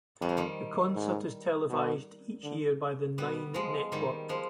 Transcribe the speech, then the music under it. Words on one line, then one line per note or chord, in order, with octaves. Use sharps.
The concert is televised each year by the Nine Network.
F2 G3
F3
D#3 G3
G#2
B2
D3
B2 G3 B3
F3 G#3
G#2 D#3 G3
F3 G#3